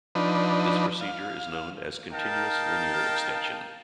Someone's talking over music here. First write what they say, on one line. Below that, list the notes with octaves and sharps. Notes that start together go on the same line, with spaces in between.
This procedure is known as continuous linear extension.
F3 D4 D#4 B4
F5
D#4 A#4 F5 G5 A5